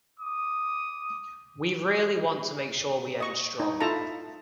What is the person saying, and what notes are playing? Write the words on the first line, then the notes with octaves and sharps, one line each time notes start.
We really want to make sure we end strong.
D6 D#6
D#5 C#6
D#4
E4 F4 A4 A5 A#5